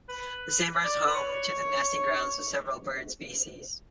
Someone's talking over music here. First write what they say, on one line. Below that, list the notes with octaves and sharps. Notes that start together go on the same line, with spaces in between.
The Sandbar is home to the nesting grounds of several bird species.
B4
D5
B4
C#5